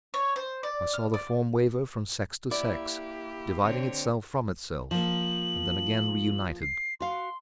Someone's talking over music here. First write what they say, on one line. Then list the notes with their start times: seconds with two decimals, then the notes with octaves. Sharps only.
I saw the form waver from sex to sex, dividing itself from itself, and then again reunited.
0.14 C#5
0.36 C5
0.63 D5
0.93 F6
1.14 D5
2.51 A#3 E4 G4 D5
3.62 D3 C4 C#5
4.91 F3 A#3 F#7
6.62 C7
7.00 F#4 F5 C6